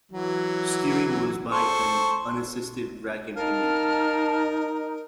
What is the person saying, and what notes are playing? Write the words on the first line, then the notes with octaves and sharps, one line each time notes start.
Steering was by an unassisted rack and pinion.
E3 F#3
A4 C5 C#6
D#4 A#4 F5 A5 F6